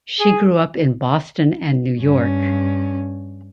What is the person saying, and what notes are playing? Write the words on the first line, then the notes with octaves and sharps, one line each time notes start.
She grew up in Boston and New York.
G#4
G2 C#4